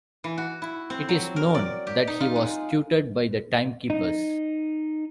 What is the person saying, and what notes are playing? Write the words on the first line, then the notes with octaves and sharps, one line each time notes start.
It is known that he was tutored by the Time-Keepers.
E3
F#4
E4
C4
F#3
A#4
D5
G4
D#4
F4
G#3
D#4